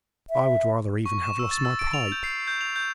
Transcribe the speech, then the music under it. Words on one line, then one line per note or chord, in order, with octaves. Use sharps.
I would rather even have lost my pipe!
E5
C#6
E7
E6
A6
E6
D7
F7
G6
C7
G6
F7
G6